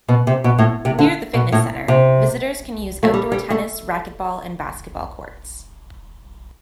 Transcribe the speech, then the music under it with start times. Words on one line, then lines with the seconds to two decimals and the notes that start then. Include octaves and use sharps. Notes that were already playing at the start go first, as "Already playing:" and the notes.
Near the fitness center, visitors can use outdoor tennis, racquetball and basketball courts.
0.08 B2
0.27 C3
0.44 B2
0.58 A2
0.85 C3
0.99 D3
1.34 B2
1.52 A2
1.88 C3
3.03 A3
3.14 G3
3.32 G3
3.50 A3